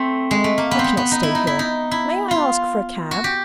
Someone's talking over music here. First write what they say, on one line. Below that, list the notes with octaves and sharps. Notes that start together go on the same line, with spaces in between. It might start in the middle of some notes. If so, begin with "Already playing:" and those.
'I cannot stay here. May I ask for a cab?'
Already playing: A3 C4
G#3
A3
A#3
B3
C4
B3
B3
D#4
E4
D#4
E4
D#4
E4
F4
F#4
G4